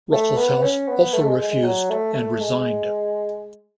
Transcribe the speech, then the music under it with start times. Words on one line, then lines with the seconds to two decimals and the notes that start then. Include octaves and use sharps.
Ruckelshaus also refused and resigned.
0.12 A3
0.37 B3
0.62 C#4
0.88 B3
1.13 A3
1.25 G#3
1.39 G#3
1.51 G#3
1.63 F#3
1.90 A3
2.14 A3
2.40 G#3